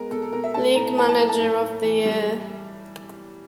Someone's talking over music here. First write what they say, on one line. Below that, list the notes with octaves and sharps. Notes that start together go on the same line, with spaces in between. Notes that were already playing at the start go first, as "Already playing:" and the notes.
League Manager of the Year.
Already playing: G#3 B3 A#4
B2 A4
A4
B2 A#4
E5
A3 A5
A2 A#5
A2 A5
A5
A3 A#5
A5
A2
A2
E3
G3